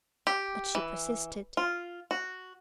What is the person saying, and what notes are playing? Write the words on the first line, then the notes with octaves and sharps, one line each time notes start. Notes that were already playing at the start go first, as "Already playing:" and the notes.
But she persisted.
G4
E3
F4
F#4